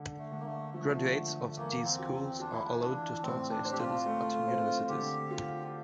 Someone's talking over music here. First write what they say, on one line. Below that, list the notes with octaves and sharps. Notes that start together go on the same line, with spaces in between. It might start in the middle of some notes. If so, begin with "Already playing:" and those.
Graduates of these schools are allowed to start their studies at universities.
Already playing: D3
A3
D3
A#3
A3
F3 A3
D3
E2 A#3
C4
F4
C4
D4 F4
E4
D4
E3 D4
A2 C4
D4
C4
G4
F4
A3
C4
D3 G4
F4